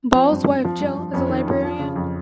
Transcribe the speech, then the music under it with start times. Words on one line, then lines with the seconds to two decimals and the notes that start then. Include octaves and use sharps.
Ball's wife Jill is a librarian.
0.14 F3 C4
0.30 G2
0.47 G2
0.65 F3
0.80 G2
0.97 F3
1.14 F2 C#4
1.30 D#3
1.47 F2
1.63 F3
1.79 C#3
1.96 F2